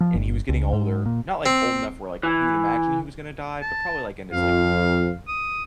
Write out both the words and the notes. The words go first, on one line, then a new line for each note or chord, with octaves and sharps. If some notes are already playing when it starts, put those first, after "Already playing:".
and he was getting older not, like, old enough where, like, you would imagine he was gonna die, but probably, like, in his, like,
F3
G1
C#2
G#2
A#2
C4
E3
A5
F2 F5
D#6